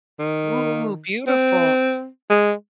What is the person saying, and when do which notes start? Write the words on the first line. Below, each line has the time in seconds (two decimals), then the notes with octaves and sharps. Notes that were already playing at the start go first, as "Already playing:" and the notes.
Ooh, beautiful!
0.19 D#3
1.27 C4
2.30 G#3